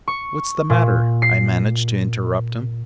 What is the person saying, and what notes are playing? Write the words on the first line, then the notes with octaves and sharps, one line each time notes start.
"What's the matter?" I managed to interrupt him.
C#6
A#2
C7